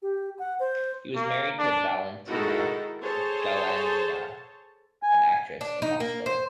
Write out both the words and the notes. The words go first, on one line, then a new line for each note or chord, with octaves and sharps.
He was married to Valentina Galanina, an actress in Moscow.
G4
F#5
C5
A#3
D4
D#3 G#3 E4 F#4 A4 A#4
G#4 A4 C5 C#5 A5
G#5
D4
D#4
A#3
C5